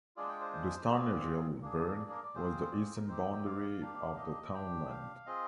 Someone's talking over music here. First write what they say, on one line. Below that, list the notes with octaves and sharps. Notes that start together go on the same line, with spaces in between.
The Stanergill Burn was the eastern boundary of the townland.
G#3 D4 F4 G#4 D5
G5
C5
C5
C4 F4 G#4 D5
A#3 D4 G#4
D5
A#4
D5
C4 F4 G#4 C5
D5
C5
A#4
C4 D#4 G4 C5
G5
G5
F5
A#3 D4 G4
D#5
D4 G4 G5
F5
C4 F4 G#4 D#5